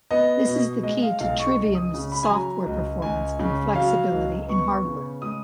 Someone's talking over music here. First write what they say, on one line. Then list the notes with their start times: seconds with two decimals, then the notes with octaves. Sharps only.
This is the key to Trivium's software performance and flexibility in hardware.
0.11 B3 D#5
0.47 B2
0.83 G#3 D#5
1.02 F5
1.20 B1 F5
1.39 C#6
1.57 C#2
1.75 D#6
1.94 C#3
2.12 B5
2.23 G#5
2.29 F#3 A#5
2.66 C#2
3.02 C#2 G#5
3.39 C#3
3.75 F#3 F5
4.12 C#2
4.49 B3 C#6
4.85 C#3
5.22 G#3 D#6